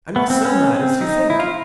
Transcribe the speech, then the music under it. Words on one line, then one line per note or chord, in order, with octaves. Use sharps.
I'm not so mad as you think.
B3
C4
C#4
C4
D#4
E4
F4